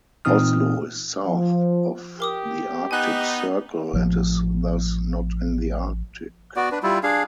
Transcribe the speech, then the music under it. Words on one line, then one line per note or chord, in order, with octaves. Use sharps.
Oslo is south of the Arctic Circle, and is thus not in the arctic.
A#2 E3 C4 D#4 D#6 F6
F3
G4 A#4 D6 D#6
B3 D#4 G#5 F#6
A1 F3
B3 F#4 D5
D4 B4
G3 E4 F4
D4 G#4 F5